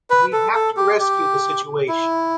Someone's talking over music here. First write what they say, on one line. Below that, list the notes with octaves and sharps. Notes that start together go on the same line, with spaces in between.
We have to rescue the situation.
B4
A4
A4
G4
G4
E4